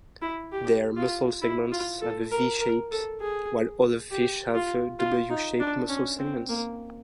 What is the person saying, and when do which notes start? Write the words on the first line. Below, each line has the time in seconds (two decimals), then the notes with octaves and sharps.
Their muscle segments have a "V-shape", while other fish have "W-shaped" muscle segments.
0.22 E4
0.52 G4
0.97 F4
1.42 E4
1.72 F4
2.01 A4
2.32 A#4
2.61 A#4
2.91 A4
3.21 G#4
4.11 G4
4.55 F4
4.99 F4
5.30 D#4
5.60 D4
5.89 C#4
6.19 C4
6.49 A#3